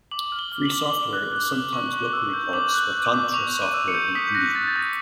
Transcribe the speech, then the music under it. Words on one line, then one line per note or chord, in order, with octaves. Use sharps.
Free software is sometimes locally called swatantra software in India.
D6 F#7
F6
G7
F6
F#7
D6
D6
F#6
F#6
D6
C#6
C#6
E6
G6
D6 F#7
F#6
F#6
D6
C#6 F7
C#6
D#7
E6
C#7
G6
D#6 B6
F#6 A#6
F#6 A6
A6
D#6 A#6